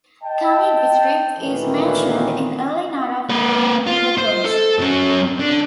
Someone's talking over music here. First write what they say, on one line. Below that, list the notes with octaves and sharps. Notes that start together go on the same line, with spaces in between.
Kami District is mentioned in early Nara period records.
D#5 G5 A5
D2 A#2 D#3 E3
A#3 B4
F4
C5
A4
F#2 C#4
D3